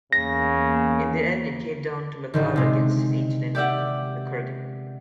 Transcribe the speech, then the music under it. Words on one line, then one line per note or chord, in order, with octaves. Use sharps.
In the end, it came down to MacLeod against his ancient enemy, the Kurgan.
E2 C#3 A#3 A#6
A1 D3 D#3
C3 G#3
G4 D5 E5 F#5